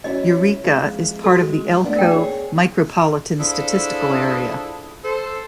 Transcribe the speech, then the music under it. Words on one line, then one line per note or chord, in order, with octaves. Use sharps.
Eureka is part of the Elko Micropolitan Statistical Area.
F#3 C#4 E4 D#5
F2 G#3 E4
G#3 F#4 A4
A2 B3 D4
A#4 G5
G#4 C#5
D4 E4 F4 G#4 A4 C5
A4 C5